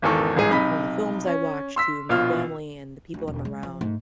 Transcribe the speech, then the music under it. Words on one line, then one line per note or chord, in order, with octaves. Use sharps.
um, from the films I watch to my family and the people I'm around,
G#1 E2 D#3 A4 C#6
D#1 A1 G#2 G#4 D#7
B1 C3 D#4 B5 B6
C#4
C6 E6 B6
A#1 B2 F4 F6
D2
E1
G#3
F3
G#2 A3